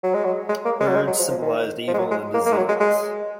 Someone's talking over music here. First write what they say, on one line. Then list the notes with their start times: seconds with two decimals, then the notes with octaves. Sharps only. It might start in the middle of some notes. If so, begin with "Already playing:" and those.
Birds symbolized evil and disease.
0.03 F#3
0.14 G#3
0.25 F#3
0.49 G#3
0.65 A#3
0.80 G#3
0.88 F#3
0.95 G#3
1.07 F#3
1.19 F3
1.30 F3
1.42 D#3
1.88 F3
1.94 G#3
1.99 F#3
2.11 G#3
2.34 A#3
2.46 A#3
2.52 G#3
2.57 F#3
2.69 G#3
2.80 G#3